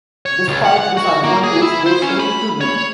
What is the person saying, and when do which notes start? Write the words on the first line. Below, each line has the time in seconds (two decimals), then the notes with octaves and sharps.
Despite this advantage, they failed to win.
0.26 C#5
0.48 C#2
0.65 F#5
0.78 F#5
0.97 F#4
1.24 A#3
1.43 G#4
1.62 E4
1.86 C5
2.02 C#4
2.20 B5
2.61 C#5